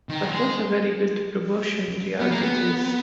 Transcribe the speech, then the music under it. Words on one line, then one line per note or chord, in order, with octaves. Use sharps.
But what a very good-proportioned yard it is!
D#3
F#3
G#3
B3
A#3
B3